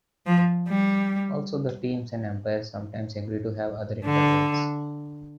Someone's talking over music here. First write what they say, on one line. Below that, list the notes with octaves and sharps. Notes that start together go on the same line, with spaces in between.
Also, the teams and umpires sometimes agree to have other intervals.
F3
G3
D3